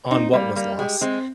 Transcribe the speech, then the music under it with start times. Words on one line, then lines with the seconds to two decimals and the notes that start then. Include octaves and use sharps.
on what was lost,
0.11 C4 D#4
0.33 G3 A#3
0.56 G3 A#3
0.78 G#3 G4
1.01 G#3 C4